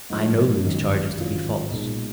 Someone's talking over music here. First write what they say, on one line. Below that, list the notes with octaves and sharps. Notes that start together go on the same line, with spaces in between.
I know these charges to be false.
G#2 F3 G#3 D#4
G#1 F#2 D#3 F#3
G#1 G#2 F#3 C#4 F4
B1 A#2 G#3 D#4